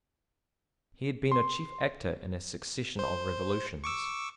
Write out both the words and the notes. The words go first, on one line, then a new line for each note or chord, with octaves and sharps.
He had been a chief actor in a succession of revolutions.
C6
C5
C#6 D6 E6